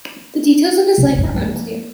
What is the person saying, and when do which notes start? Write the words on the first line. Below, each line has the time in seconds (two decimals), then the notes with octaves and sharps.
The details of his life are unclear.
0.98 C3
1.15 G2 D4
1.34 F3 A#3